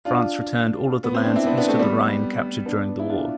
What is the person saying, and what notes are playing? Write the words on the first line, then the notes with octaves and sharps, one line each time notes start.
France returned all of the lands east of the Rhine captured during the war.
D4 F4
B3
C4
D4
C4 E4
B3 D4
B3 D4
A3 C4
G3 B3
B3 D4
E4
D4 F4